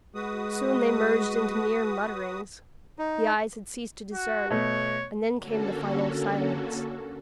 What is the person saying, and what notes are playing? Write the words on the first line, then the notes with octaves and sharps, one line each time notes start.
Soon they merged into mere mutterings; the eyes had ceased to discern; and then came the final silence.
G#3 F#4 B4 D#6
D#4
F#4
B2 A3 C#5
D3 A#3 C#4 F#4 A4